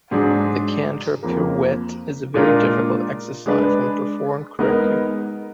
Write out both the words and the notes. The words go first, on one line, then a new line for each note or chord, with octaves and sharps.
The canter pirouette is a very difficult exercise when performed correctly.
G#2 F#3 D4 G#4
F2 F3 A#3
A#2 G#3 D4 F4 A#4
G#3 D4 G#4 B4 D5
G#3 B3 D#4 A#4